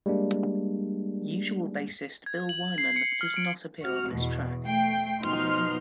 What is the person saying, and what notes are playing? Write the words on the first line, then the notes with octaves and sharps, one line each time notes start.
Usual bassist Bill Wyman does not appear on this track.
G3 G#3 A#3 D4
G#6
F#7
C7
C#7
F6
D7
F#4 F6
E2 B2
A3 G5 C7
B2 F3 B3 D#4 C6 F6